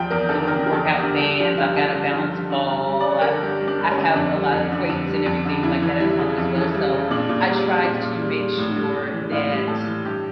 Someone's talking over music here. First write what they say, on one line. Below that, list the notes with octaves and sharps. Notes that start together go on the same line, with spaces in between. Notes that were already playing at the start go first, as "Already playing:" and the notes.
little workout bands, I've got a balance ball, I've I have a lotta weights and everything like that at home, as well, so, I try to make sure that
Already playing: E2 F3 G5
E2 A#4
D3 A4
E2 A#4
F3
A4
E2
G4
D3
G2 A4
F3 G4
G2 F4
D3 A4
G2
F3
G2
D3
G2
G3
G2 D5
C#5
D3 A#4
A4
G2 G4
G3
D4
G2
C#4
D3
F2 D4
G3
F2
D3
F2
G3
F2
D3
F2 E4
E3
G3 E4
C#3
F2
E3
A4
G3
C#3
A#2 D4
A#2
G3
G3
A#2
A#2
G3
G3
A2
G3
A2
E3
A2 F4
G3
A2 A4
E3
G2 G4